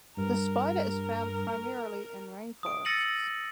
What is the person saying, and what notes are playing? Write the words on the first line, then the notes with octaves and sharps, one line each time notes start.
The spider is found primarily in rainforests.
G2 A#4
D#6 D7
E6 A6 A#6 C#7 D#7 F#7